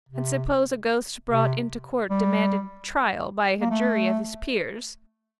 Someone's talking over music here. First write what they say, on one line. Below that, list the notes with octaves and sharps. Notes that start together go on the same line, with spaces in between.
And suppose a ghost brought into court demanded trial by a jury of his peers?
C3
C3
G3
A#3
A3